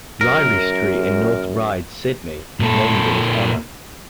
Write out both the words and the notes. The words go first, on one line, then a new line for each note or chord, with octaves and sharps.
Ryrie Street in North Ryde, Sydney is named in his honour.
F#2 A#4
A#2 A4